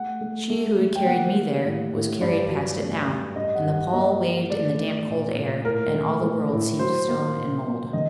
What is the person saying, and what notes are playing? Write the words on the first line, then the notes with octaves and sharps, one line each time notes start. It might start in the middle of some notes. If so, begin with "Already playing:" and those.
She who had carried me there was carried past it now, and the pall waved in the damp cold air, and all the world seemed stone and mould.
Already playing: A3 F#5
A3
A3
A3
G5
A#3 F#5
G3
A2
A2
G2 D5
F#3
A3
G2
G2 D#5
F#5
G2
F#5
A#3 D#5
G3
A3 D5
A3
A#2
A#2
A2 A#4
A3
A3
A2
F#3 C5
A#3
A#2
A#3
D#3 D#5